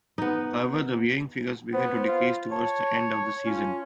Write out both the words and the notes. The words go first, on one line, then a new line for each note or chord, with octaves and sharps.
However, the viewing figures began to decrease towards the end of the season.
B3 D#4
B3 C5
F4
C#5 A5
C#4 F4